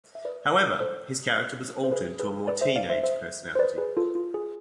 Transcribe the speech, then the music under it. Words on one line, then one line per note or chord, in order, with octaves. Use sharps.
However, his character was altered to a more teenage personality.
E5
B4 D5
A4 C5
C5
G#4 B4
G#4 B4
B4 D5
C5 E5
D5 F5
C5 E5
C5 E5
C5
B4 D5
G#4 B4
F4 A4
F4
G#4